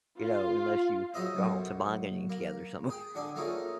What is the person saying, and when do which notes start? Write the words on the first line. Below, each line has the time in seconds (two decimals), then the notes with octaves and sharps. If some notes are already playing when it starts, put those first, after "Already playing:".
you know, unless you you're all tobogganing together somewhere or something
0.21 F4
1.14 F#3 G#4 C5 D#5 E5
1.37 B1 F#2
2.30 A#3
2.90 G#4 G5
3.15 D3 D4 G#4
3.36 A3 A#3 C#4 D#4 F4 G#4